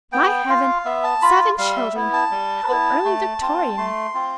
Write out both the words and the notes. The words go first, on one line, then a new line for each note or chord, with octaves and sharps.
"My heaven--seven children! How early Victorian!"
B3 G5
F4 F5
B3 E5
A5
F4 B5
G3 F5
E5
B3 E4
A5
G3
B3 E4
A3
C4 F4
A3 C6
C4 F4